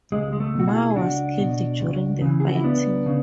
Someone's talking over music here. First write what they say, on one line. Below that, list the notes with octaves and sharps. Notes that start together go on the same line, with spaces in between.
Ma was killed during the fighting.
C#2 G#3
G#3
A3
B2
F#4
E4 G#4
G#4
C#2 D4 F#4
B2
C#2
C#3 E3
G#4
F#4
E4
C#2 B3 D4
C#3